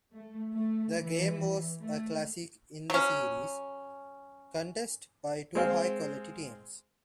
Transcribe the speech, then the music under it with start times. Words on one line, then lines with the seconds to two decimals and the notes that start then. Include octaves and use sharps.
The game was a classic in the series, contested by two high-quality teams.
0.14 A3
0.52 A3
0.97 E3
1.82 A3
2.90 F#3 C#4
5.55 G#3 C4 F5